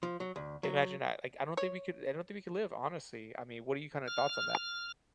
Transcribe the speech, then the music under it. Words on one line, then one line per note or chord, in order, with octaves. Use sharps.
imagine that. Like, I don't think we could I don't think we could live, honestly. I mean, what are your kinda thoughts on that?
F3
F#3
D2
F#3
C#5
F6